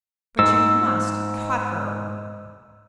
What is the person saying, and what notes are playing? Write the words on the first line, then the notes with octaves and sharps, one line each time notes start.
"But you must CUT her."
G#2 E6